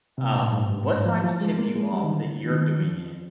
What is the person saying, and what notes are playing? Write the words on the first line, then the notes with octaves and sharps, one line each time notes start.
Um, what signs tip you off that you're doing it,
C3
A#2
G#2
G2
G#2
F3
F3
G#3
A#3
G#3
G3
D#3
D3
D#3
F3